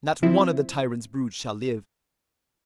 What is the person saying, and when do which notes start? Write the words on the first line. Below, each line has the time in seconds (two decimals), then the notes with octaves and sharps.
Not one of the tyrant's brood shall live.
0.23 F3 C4 E4